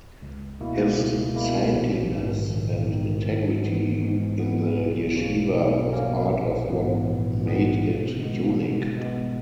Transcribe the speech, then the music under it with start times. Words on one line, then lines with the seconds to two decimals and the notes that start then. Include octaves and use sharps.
His saintliness and integrity in the yeshiva was part of what made it unique.
0.22 C#2
0.61 B2 A#3 E4
0.99 C#2
1.35 B2 A#3 E4
1.74 A#1
2.12 G#2 D#3
2.50 A#1
2.88 G#2 D#3
3.26 G#2
3.63 E3 B3
4.01 G#2
4.39 E3 B3
4.77 B1
5.16 B2 A#3 C#4
5.54 B1
5.93 B2 A#3 C#4
6.30 A#1
6.68 G#2 E3 B3
7.06 A#1
7.44 G#2 E3 B3
7.82 B2
8.20 G#3 B3
8.57 B2
8.97 G#3 B3